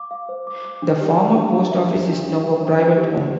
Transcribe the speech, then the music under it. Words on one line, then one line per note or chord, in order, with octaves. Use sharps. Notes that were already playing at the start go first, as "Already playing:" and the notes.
The former Post Office is now a private home.
Already playing: F5 D6
F5
C5
D6
D6
D4
G4
E5
D4
G4
E5
G4
D4
D4
E5
C5
D4
G4
G5